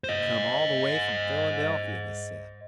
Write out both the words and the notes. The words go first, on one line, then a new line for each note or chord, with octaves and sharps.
It come all the way from Philadelphia, they said.
C5 D#5